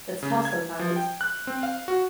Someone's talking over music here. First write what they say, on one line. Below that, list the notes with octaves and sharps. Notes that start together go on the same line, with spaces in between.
It's tough sometimes.
C#3
G#6
F3
G5
F#6
C4
F5
F#4